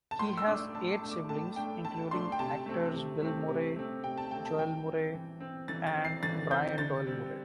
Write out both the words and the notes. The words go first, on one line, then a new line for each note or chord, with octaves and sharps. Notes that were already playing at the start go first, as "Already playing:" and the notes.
He has eight siblings, including actors Bill Murray, Joel Murray and Brian Doyle-Murray.
A5
A2 C6
E6
A3 D4 D6
A2 A5
A5
A3 D4
D6
A2 A5
A3 D4 G5
A2 A5
A3 D4 C6
G5
C3 A5
A3 C4
C3
A3 C4
C3
A3 C4
C3 G5
A5
A3 C4 G5
A5
E3 G5
C4
E3
C4
E3 A6
A6
C4
C7
E3 A6
C4 G6
D3 A6
G3 C4